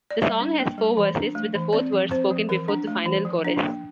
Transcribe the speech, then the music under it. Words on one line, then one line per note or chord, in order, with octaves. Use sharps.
The song has four verses, with the fourth verse spoken before the final chorus.
D5
G3 E5
D4
A#3
G3
E3
D4
A3
E3
C4 D5
F3
C4 C5
F3
E3 A#4
D4
A3
E3
F3
D4
A#3